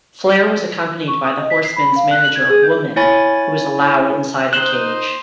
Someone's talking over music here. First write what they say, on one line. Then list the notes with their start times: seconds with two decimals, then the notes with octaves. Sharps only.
Flair was accompanied by the Horsemen's manager Woman who was allowed inside the cage.
1.08 C#6
1.24 D#6
1.39 D#5
1.50 B6
1.64 C7
1.76 B5
1.96 F5
2.11 F#6
2.24 F#7
2.36 G#6
2.50 G#4
2.63 G6
2.96 E4 C#5 G#5 B5 A6
4.53 D#4 C5 F#6 E7 F#7 G7